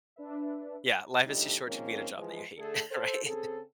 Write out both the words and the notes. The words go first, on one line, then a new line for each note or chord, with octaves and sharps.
Yeah, life is too short to be at a job that you hate, right?
D4 B4 E5
F2 A2 C#3 G3 D4 D#4
D#3 F3 G#3 A#3 C4 C#4
E3 F3 G#3
D3 A3 G#4 A4
A4 C5
C#3 C4 G#4 A4